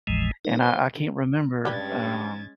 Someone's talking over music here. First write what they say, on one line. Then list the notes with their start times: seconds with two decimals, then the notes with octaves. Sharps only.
And I I can't remember, um
0.07 G#1 D#2 A2 E3 F3 G#3
0.45 D#4 A#4
0.61 C5
1.65 G2 G3 G#3 C#4 G4 B4 G#6 A6